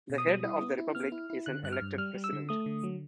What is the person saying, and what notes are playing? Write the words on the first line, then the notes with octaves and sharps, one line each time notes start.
The head of the Republic is an elected President.
B2
D#6
G3
E4
B3
E4
B3 F6
E4
E4
D3 F#6
G2 F#6
F6
G2
G3 F6
G3
E6
D3
A3 D#6
D3
F#3